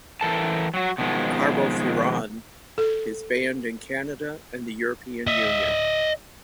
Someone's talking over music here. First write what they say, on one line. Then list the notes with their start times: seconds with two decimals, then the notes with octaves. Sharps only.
Carbofuran is banned in Canada and the European Union.
0.21 E3 A4 A#4 A5
0.74 F#3 F#4
0.98 B2 D#3 F3 G#3
2.78 A4
5.27 D#5 E5